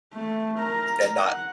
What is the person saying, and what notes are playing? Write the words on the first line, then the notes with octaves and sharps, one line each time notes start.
and not
A3
A#4 A#5
F#5